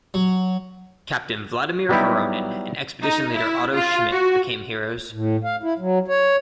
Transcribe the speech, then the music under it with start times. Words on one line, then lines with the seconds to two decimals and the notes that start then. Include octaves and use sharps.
Captain Vladimir Voronin and expedition leader Otto Schmidt became heroes.
0.14 F#3
1.89 F#3 G3 B3 D#4 E4 G4
3.01 D#4
3.35 E4
3.73 F4
4.10 F#4
5.12 A2
5.44 F5
5.63 E4
5.79 F#3
6.08 C#5